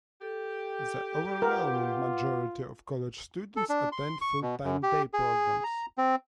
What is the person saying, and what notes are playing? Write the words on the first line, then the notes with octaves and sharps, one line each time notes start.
The overwhelming majority of college students attend full-time day programs.
G4 A4
F4 A#4 B4 F#5 D6
A4
D4
C6
C#6
B2
F#2
G4
G#4
A#5
C4